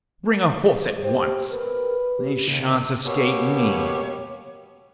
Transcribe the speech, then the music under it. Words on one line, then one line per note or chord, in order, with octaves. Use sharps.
'Bring a horse at once; they shan't escape me.'
G4 C5
A#4 B4
G4
D#2 C#3
B2 A#3 G4 C#5